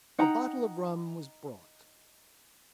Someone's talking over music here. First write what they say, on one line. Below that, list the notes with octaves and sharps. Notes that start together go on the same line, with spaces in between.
The bottle of rum was brought.
D#4 F#5 G5 A#5